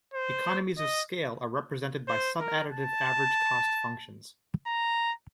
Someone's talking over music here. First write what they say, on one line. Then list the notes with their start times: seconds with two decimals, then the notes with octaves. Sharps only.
Economies of scale are represented by subadditive average cost functions.
0.14 C5
0.78 D#5
2.08 C5
2.41 A#4
2.73 A5
4.67 A#5